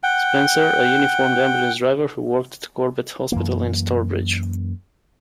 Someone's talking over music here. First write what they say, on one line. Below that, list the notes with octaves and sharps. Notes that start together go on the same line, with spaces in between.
Spencer, a uniformed ambulance driver who worked at Corbett Hospital in Stourbridge.
F#5 G5
F#2 E3 A#3